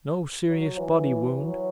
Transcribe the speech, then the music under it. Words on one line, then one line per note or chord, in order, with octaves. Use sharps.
No serious body wound.
F#3
E3
F#3